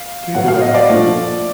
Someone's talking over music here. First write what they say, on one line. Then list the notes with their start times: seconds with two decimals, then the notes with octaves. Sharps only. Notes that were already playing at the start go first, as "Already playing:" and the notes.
Do the right thing.
Already playing: F5
0.35 A2 F#3 B3 F#5
0.48 F5
0.61 D#5
0.75 D5
0.88 A#2 F3 A3 D4